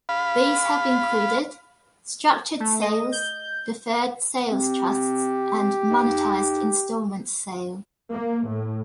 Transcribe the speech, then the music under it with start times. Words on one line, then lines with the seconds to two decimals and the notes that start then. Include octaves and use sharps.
These have included: Structured Sales, Deferred Sales Trusts and Monetized Installment Sale.
0.09 F5 B5
2.60 A3
2.81 D#5
3.12 G6
4.51 C4 G4
5.90 D#4
8.12 A#3
8.48 A2